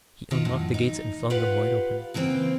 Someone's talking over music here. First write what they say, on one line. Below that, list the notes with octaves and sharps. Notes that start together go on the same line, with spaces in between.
He unlocked the gates and flung them wide open.
D#3 F4
F#2 A2
D#4
F4 G4 B4 F5 F#5
C#3 E3 A#3 C4 G5